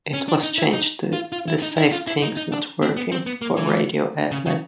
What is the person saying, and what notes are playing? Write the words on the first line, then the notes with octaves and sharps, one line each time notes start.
It was changed to "This safe thing's not working" for radio airplay.
C#4
D4
D#4
E4
D#4
F4
F4
E4
D#4
E4
F4
E4
D#4
D#4
D4
C4
B3
C4
B3
A#3
E3
C#3
C#3